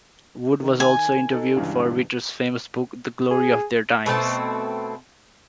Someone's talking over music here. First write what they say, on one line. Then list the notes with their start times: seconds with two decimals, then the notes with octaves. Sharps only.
Wood was also interviewed for Ritter's famous book, "The Glory of Their Times".
0.63 D#3
0.80 G#5
1.31 D#4 A4
1.56 C#2 G2 E3
3.31 G#4
4.06 B2 A3 C4 A5